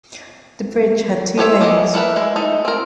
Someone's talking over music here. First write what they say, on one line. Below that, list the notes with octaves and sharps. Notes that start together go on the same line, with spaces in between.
The bridge had two lanes.
F3 G4 C#5 E5
E3 A#3 B3 D#5
A3 E4 A#4 B4
G#3 E4
A3 D#4
C4 A#4